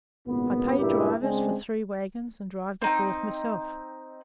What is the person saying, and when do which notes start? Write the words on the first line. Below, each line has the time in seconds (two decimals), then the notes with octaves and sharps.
I pay drivers for three waggons and drive the fourth myself.
0.27 G#1 C#2 A#2 B3
0.78 G2 A#2 C#3 E4 G4 A#4
1.22 C#3 G#3 C4 D4
2.82 C4 D#4 G5